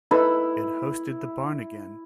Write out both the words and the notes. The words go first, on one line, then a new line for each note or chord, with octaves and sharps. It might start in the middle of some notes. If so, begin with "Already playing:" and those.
It hosted the Barn Again!
D#4 E4 A4 B4